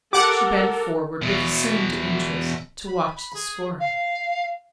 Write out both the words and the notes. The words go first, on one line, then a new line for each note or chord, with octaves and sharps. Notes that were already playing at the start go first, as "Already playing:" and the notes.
She bent forward with assumed interest to watch the scoring.
G4 A4 A#4 F#5 D6
E2 B2
B5
B5
G#4
F5